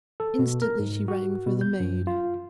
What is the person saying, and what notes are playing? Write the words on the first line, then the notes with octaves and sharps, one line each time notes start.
Instantly she rang for the maid.
A4
B2
A#4
G#2
F#4
B2
G6
F#2
F4